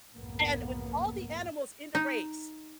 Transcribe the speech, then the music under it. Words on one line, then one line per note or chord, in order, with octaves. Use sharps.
and with all the animals in the race,
B1 F2 G#2 C#3 A#3 B3
D#4